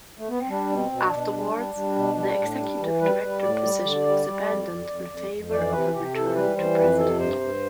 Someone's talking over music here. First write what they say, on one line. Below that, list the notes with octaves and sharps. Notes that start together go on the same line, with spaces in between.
Afterwards, the Executive Director position was abandoned in favor of a return to "President".
A3
B3
C4
G3 D4
B2
C4
B2
D4
B2
G3
G3
G3
B2
G3
A2
G3
E3
G3 B4
G3
A2 D5
G3
D3
G3
G3
F2
F2
F2
F2
F2
E3 D5
C3 B4
C3 G4
E3 A4
G3 B4
E3 C5
F2 B4
C3 A4
G2 C5
G2